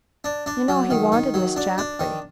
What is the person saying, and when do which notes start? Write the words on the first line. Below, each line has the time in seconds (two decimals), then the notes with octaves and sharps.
You know he wanted Miss Chapley.
0.24 D4
0.46 D4
0.69 F#3
0.90 D#3
1.12 D#3
1.34 F#3
1.56 D4
1.78 D4
2.00 D#3